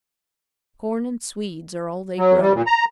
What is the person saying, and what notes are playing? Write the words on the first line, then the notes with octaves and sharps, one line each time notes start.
Corn and swedes are all they grow.
F#3
G3
A#2
A#5